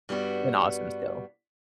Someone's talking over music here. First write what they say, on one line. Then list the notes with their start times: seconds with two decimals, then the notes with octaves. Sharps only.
an awesome skill.
0.09 G2 G3 B3 F#4